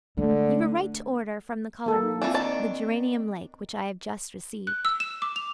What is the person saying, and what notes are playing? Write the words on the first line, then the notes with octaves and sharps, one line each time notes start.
You were right to order from the colourman's the geranium lake which I have just received.
D3 G#3 A3
A#3 A4
D#4
E3 F3 C4 D4
D#3 D4 A5
F#6
E6
E7
D6
F7